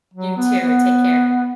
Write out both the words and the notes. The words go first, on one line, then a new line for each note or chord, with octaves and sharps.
You too. Take care.
F#3
B3
B3